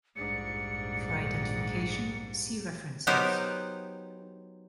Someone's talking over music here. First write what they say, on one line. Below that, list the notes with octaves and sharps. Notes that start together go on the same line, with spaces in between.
For identification see references.
A#1 F2 G#2 G3 D4 C#7
F#3 B3 D#4 G4 A#4 C5